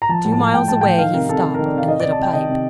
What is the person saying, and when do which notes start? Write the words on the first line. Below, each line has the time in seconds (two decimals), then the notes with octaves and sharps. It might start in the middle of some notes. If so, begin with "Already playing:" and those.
Two miles away he stopped and lit a pipe.
0.02 A#5
0.09 F3 A5
0.25 A2
0.32 A5
0.39 A2
0.54 A2 G5
0.68 A2 A5
0.81 F3 G5
0.98 D#3 F5
1.13 C3 A#4
1.28 C3 A4
1.43 C3 A4
1.55 D#3 A#4
1.66 D5
1.74 C3 F5
1.88 C3 D#5
2.00 C3 D5
2.12 A5
2.19 C3 G5
2.33 D#3 D#5
2.49 C3